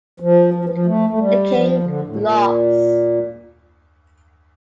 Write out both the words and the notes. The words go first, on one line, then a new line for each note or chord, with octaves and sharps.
The king lost.
F3
F3
E3
F3
A3
A3
G3
F3
D3
A2
A#2